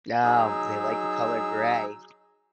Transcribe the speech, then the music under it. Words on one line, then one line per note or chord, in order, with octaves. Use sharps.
No, they like the color gray.
F#3 D#4 G#4 E6